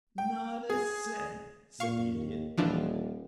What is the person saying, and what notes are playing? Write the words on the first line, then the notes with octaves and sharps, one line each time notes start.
"Not a cent," said the Idiot.
G5
G#4
A#2 F5 C#6
D#2
D#1 E3 F3 D4